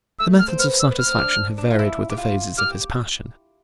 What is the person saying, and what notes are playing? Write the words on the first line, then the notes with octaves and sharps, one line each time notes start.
The methods of satisfaction have varied with the phases of his passion.
A3 E6
F6
C4
B3 F6
E6
B3
C4 F6
D4
D4
F4
E4
G4
F4
G4 F6